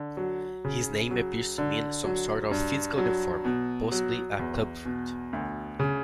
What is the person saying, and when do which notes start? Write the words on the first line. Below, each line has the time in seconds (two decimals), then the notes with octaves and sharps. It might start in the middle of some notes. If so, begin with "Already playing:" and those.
His name appears to mean some sort of physical deforming, possibly a clubfoot.
Already playing: D3
0.17 F#3
0.64 C#3
1.11 F#3
1.58 D3
2.04 F#3
2.51 G2
2.98 F#3
3.45 B2
3.92 F#3
4.39 E2
4.85 B2
5.33 D2
5.79 C#3